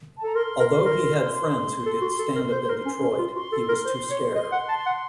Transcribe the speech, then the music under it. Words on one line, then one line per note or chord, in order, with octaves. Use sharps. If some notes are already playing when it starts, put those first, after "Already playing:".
Although he had friends who did stand-up in Detroit, he was too scared.
A5
A4 A#5
A#4 C6
A#4
A#4
C6
A4
F#4
A4
A#4
C5
C5
A#4
C#4
C#4
F4
F#4 C6
A4
A#4
C5
C#5
D#5 C6
F#5
A5
F#5